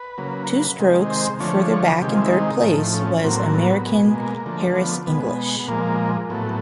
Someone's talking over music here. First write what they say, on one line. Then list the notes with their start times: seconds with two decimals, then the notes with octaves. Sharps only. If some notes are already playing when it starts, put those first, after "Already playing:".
Two strokes further back in third place was American Harris English.
Already playing: B4
0.18 C#3 F#3 A#3
0.79 C3 D#3 G#3
1.09 C5
1.40 D3 F3 A3 C#5
2.02 C3 D#3 G#3 G4
2.12 F4
2.22 E4
2.32 D#4
2.63 A2 F3 A3
2.93 C#4
3.24 A2 F#3 A#3 C4
3.54 B3
3.85 B2 G#3
4.15 A#3
4.46 D3 F3 A3
4.77 B3
5.07 B2 G#3 B3
5.59 B3
5.68 A#2 F3 G#3 A#3
6.30 A2 F#3 A3 B3